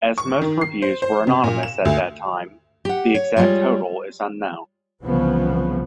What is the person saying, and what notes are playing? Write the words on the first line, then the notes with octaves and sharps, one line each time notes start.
As most reviews were anonymous at that time, the exact total is unknown.
C#6
D#3
C7
C5
C5
C3
A#2
E7
D2
G4 F#5
C#5
G3 G#3 F4 C#5
C2 C#3 E3 F3 B3